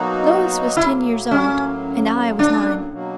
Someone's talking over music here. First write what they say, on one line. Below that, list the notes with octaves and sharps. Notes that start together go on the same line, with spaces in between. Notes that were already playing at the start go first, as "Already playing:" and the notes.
Louis was ten years old and I was nine.
Already playing: B2 F#3 A#3 D#4 F#4
A2 F#3 A#3 E4
C#4
D4
B2 F#3 A#3